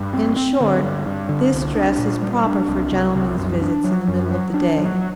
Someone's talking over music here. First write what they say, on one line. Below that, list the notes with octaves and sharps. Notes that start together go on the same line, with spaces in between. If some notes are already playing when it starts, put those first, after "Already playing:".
In short, this dress is proper for gentlemen's visits in the middle of the day.
Already playing: G2
C4
C4
D3
G2
G2
D3
C2
D4
A#2
G3
D4
C2
C2
C2
F#2
D4
F#3
F#2
F#3
D4
F#3